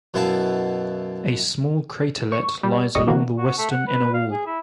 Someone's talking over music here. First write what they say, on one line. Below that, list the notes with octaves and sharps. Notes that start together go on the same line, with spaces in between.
A small craterlet lies along the western inner wall.
F#2 B2 E4 F5 A5
C#6
G3
G#1 F2 G3 D#5 C#6
D3 E3 A#3 F#4
F#4
A3
F#5
B4
F5
G#4
E4